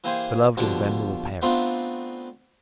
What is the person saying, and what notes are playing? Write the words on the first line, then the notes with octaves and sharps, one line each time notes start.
Beloved and venerable parent!
E3 A#3 G4 G#4 C5 G#5
B2 D3 F3 A#3 D4 G4
A3 B3 C4 D4 D#4 F4